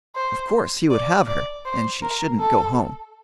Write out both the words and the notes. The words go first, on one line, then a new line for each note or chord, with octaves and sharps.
Of course he would have her, and she shouldn't go home.
C5
D5
D5
C5
A#4
A4